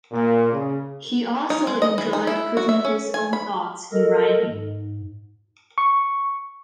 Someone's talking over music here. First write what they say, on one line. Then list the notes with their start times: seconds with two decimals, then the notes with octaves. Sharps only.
He also enjoyed putting his own thoughts in writing.
0.12 A#2
0.52 C#3
1.50 D#4
1.67 G#3
1.82 D#5
1.98 E3
2.13 D#4
2.27 E4
2.57 F#4
2.69 E5
2.85 C#4
3.14 G#5
3.33 B5
3.92 A4 A#4 D#5
4.49 G#2
5.78 C#6